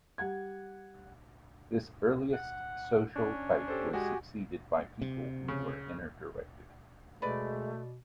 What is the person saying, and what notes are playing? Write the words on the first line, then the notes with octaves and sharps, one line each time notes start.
This earliest social type was succeeded by people who were inner-directed.
G3 F#5 G#6
F#5
C#4 D4
G4 A4 C5
G#3 F#4 G4 G#5
C3
C#3
B2 G#3 A3 B4 D5